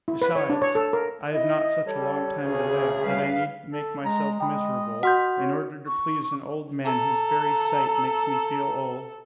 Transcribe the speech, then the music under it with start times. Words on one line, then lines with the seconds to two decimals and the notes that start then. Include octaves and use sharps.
Besides, I have not such a long time to live that I need make myself miserable in order to please an old man whose very sight makes me feel old.
0.08 E4
0.22 B4
0.35 C#5
0.50 D4
0.62 C#5
0.75 A4
0.93 A#4
1.32 E4 D#5
1.86 G3 A4 C#5
2.42 D2 C#3 G#4
3.03 G3 B4 F5
3.73 A4
4.05 G#3 A#5
4.40 G#3 D#5 G5 B5
5.03 F#4 F#5 C6 F6 G6
5.38 C#5
5.87 C#6
6.85 A4 A#5